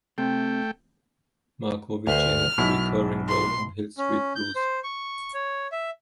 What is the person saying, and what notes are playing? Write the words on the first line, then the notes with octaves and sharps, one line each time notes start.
Marcovicci had a recurring role on "Hill Street Blues".
C3 A3 G5
D2 B4 C5 F6
B1 B2 E4 B6
C6
C#4
G6
C5
C#6
C#5
E5